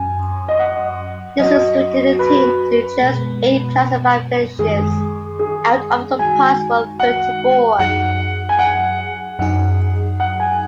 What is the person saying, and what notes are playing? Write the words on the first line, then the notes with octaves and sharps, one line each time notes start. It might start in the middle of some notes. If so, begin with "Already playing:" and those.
This restricted the team to just eight classified finishes out of a possible thirty-four.
Already playing: F#2 F#3 C#4 G#5
D#5
F#5
F#3 C#4 F#4 D#5
B4
B2 G#3 B3
F#2 D#3 G#3 G#4
G#4
D#3 G#3 D#4 F#4 G#5
F#5
F#2 F#3 D#4 G#4 F#5
G#5
F#5
F#2 F#3 D#4 G#4 F#5
F#5
G#5